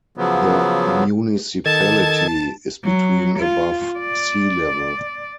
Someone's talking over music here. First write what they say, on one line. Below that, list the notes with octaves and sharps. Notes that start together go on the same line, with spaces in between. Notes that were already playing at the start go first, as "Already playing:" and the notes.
The municipality is between above sea level.
C#3 F3 F#3 B3
D#3 A4 A5 G#6
F#3
F4
D5